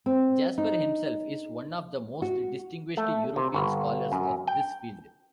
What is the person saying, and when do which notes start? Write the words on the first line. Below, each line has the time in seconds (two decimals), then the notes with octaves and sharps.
Jasper himself is one of the most distinguished European scholars of this field.
0.06 C4
0.58 D#4
2.22 F#4
2.97 A3
3.36 C3
3.54 G1
4.12 F#2
4.47 G5